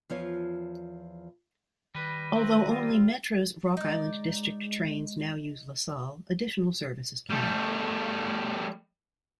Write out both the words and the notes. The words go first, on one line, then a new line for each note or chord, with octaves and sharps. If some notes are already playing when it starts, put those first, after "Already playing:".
Although only Metra's Rock Island District trains now use LaSalle, additional service is planned.
E2 F3 F4 C#5
D#3 G3 B4
D3 A3 C4 B4
G3 F4
G#3 D#4 D5
G3 A3